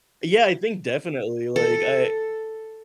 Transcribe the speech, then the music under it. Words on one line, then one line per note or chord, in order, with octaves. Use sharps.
Yeah, I think definitely. Like, I
A4